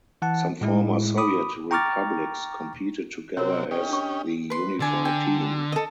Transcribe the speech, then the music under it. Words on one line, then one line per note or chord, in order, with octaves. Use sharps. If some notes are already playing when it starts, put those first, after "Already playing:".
Some former Soviet republics competed together as the Unified Team.
E3 F#5 A5
A2 G#3 E4
B5 D6 D#6
G5 A#5 C#6 D6 F6 A6
C3 F#3 C4 F#4 A#4 C#5
C#4 G4 D#5
D4 C#6
B4 C6
D3 D5 G#5
G5 G#5
A4 D#5